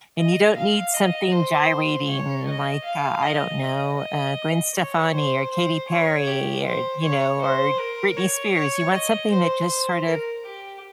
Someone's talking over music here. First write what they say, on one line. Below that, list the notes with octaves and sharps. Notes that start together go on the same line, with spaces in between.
and you don't need something gyrating like, uh, I don't know, uh, Gwen Stefani, or Katy Perry, or, you know, or Britney Spears. You want something that just sort of
D#5
F5
D#5
C5
C#5
D#5
F5
D#5
D#5
D#5
C#5
C5
C5
C#5
G4
C5
C#5
C5
A#4
C#5
C#5
D#5
C5
C5
A#4
G4